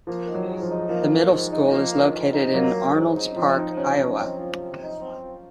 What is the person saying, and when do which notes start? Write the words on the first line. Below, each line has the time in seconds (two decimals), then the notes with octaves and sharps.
The middle school is located in Arnolds Park, Iowa.
0.07 F3 A#3
0.28 D#3
0.34 F#3
0.48 G#2
0.62 F3
0.69 D#4
0.89 F3 A#3
1.09 D#3
1.31 G#2
1.52 D#4
1.71 F3 A#3
1.92 D#3
2.12 G#2
2.34 D#4
2.54 F#3 A#3
2.74 D#3
2.95 G#2
3.15 D#4
3.35 F3 C4
3.56 F3 D#4
3.77 C3 C#4
3.98 C#4 D#4
4.18 C4 C#4
4.38 F3
4.59 C3
4.80 D#4
5.00 C4
5.21 F3